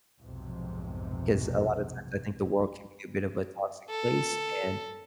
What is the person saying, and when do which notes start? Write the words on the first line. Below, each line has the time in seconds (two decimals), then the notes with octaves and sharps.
'cause a lot of times I think the world can be a bit of a toxic place and,
0.20 B1 F2 G#2 C3
3.90 A4